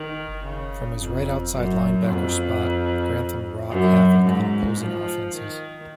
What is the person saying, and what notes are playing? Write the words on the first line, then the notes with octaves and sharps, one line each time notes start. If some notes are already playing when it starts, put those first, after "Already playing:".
From his right outside linebacker spot, Grantham wrought havoc on opposing offenses.
Already playing: D#3
C#3
F2
F#2
F2
F#2
G#2
F3
D#3